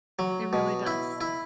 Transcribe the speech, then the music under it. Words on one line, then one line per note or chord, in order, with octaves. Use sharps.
It really does,
F#3
B2
E4
E4